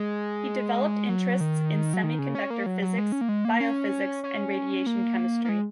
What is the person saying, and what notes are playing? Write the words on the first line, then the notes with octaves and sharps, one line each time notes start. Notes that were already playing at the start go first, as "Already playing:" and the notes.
He developed interests in semiconductor physics, biophysics and radiation chemistry.
Already playing: G#3
F#3
D#3
F#3
D#3
C#3
C#4
A#3
F#3
F#3
G#3
C#4
A#3
G#3
A#3
C#4
C#4
A#3
A#3
G#3